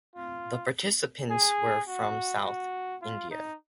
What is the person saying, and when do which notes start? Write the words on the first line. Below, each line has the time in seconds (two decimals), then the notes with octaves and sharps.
The participants were from South India.
0.16 F4
1.30 G#4
1.87 F#4
2.45 F#4
3.01 F4
3.31 D#4